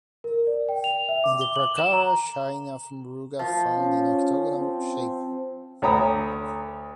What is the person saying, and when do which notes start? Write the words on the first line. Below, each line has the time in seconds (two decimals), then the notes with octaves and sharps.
In the prakara shrine of Muruga found in octagonal shape.
0.24 A#4
0.47 D5
0.69 G5
0.84 F7
1.09 E5
1.24 D6
1.41 G7
1.56 F#7
1.77 E7
1.93 A#5
3.39 F3
3.77 C#4
4.55 C4
5.82 D2 C#5 A#5 B5 D#6